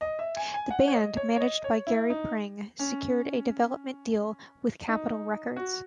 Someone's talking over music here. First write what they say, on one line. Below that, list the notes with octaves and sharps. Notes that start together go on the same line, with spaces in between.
The band, managed by Gary Pring, secured a development deal with Capitol Records.
D#5
E5
G#5
G#5
F#5
C#5
D#5
C#5
C#5
D#5
C#5
E4
D#4
C#4
D#4
F#4